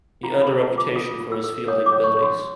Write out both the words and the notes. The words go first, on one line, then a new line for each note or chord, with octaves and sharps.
He earned a reputation for his fielding abilities.
F4 A#5
B5
A4
A5
F4
D6
F4 D#6
F4
E6
A4
C#5 D#6
D6
C#5
C#6
C#5
C6